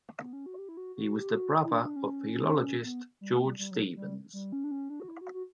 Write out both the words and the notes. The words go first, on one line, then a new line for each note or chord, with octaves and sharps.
He was the brother of the philologist George Stephens.
B3
C#4
F#4
G4
E4
F#4
F#4
G4
F#4
E4
D4
D4
C#4
B3
G3
A#3
G3
G3
F#3
G3
G3
C#4
D4
C#4
D4
F#4
E4
F#4
F#4